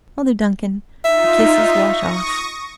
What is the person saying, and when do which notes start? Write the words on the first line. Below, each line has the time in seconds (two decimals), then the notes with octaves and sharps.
"Mother Duncan, do kisses wash off?"
1.05 D#4 F4 E5
1.86 C#6 D#6 A#6